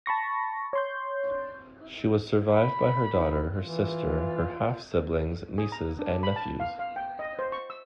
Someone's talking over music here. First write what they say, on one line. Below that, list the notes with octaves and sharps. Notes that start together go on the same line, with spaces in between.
She was survived by her daughter, her sister, her half-siblings, nieces and nephews.
A5 B5 C#6 A#6
C#5 C6 G6
B5
D#4
E3 F4
G#4
A#5
D4
B5
A5
F5
F5
G5
D#5
C5
C#6
E6